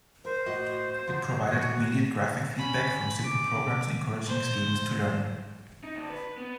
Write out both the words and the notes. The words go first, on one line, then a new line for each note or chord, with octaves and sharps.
It provided immediate graphic feedback from simple programs encouraging students to learn.
A#4 C5
A2 F#4 D#5
F3 F#3
G2 E3 D#4 F#4
C#4 B5
D6
C5
D#4
D2
B4
B3